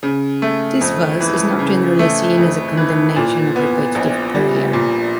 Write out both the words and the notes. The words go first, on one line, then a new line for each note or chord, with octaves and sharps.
This verse is not generally seen as a condemnation of repetitive prayer.
C#3
A3
F2
E3
C#3
A3
F2
E3
A#2
B3
A#1
G3
A#2